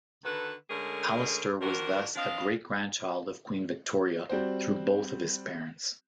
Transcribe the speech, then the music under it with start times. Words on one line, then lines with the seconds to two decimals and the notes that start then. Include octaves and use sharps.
Alastair was thus a great-grandchild of Queen Victoria through both of his parents.
0.24 D3 D#3 F#4 A4 B4
0.70 D3 G#3 A3 C#4 G#4 A#4
1.61 D#3 F3 D4 F#4 A#4
2.16 C4 D4 D#5 F5
4.29 G3 C4 F#4 C5